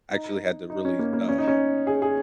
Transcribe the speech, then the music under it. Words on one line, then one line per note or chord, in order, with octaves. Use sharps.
I actually had to really, um,
D#4
D#4
C#4
A#3
A#3
C#4
D#4
C#4
G#4
G#4